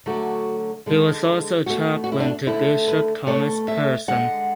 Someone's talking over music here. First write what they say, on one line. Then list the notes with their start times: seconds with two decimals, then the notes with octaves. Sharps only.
He was also Chaplain to Bishop Thomas Pearson.
0.06 D3 F#3 A3 F#4
0.86 D3 G#3
1.66 B2 A3 F#4
2.04 F#4
2.12 E4
2.20 D4
2.47 D3 A3 E4
2.88 B4
3.27 B2 A3 C#5
3.68 E5
4.08 D3 G#3 F#5